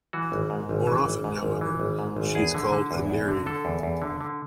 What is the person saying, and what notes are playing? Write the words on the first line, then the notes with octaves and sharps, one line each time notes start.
More often, however, she is called a Nereid.
E3 F#4
G#1
G#2
G#1
E3
G#1
G#2
G#1
E3
G#1
G#2
G#1
E2 G#4
D3
D3
E2
E2
D3
D3 A4
E2
E2
D3
D3